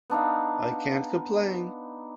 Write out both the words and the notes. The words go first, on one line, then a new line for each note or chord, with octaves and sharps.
I can't complain.
B3 D4 D#4 F5